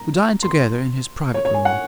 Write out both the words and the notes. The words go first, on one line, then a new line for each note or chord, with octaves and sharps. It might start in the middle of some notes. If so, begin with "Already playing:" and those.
We dined together in his private room.
Already playing: A#5
C6
C#5
C#5
G#5
F#5